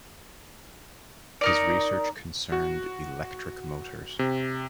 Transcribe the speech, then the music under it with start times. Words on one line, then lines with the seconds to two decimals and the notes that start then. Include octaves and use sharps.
His research concerned electric motors.
1.41 D#4 A#4 D5
2.52 F#4
4.19 C3